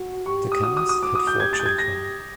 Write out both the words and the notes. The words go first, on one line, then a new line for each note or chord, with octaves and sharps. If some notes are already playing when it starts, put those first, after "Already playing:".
The Kennas had four children.
Already playing: F#4
G4 C#6
D#6
F#4 D#6
D#6
D#6
D6
D#6
G6
G4 G#6
A6
G6
G#6
A#6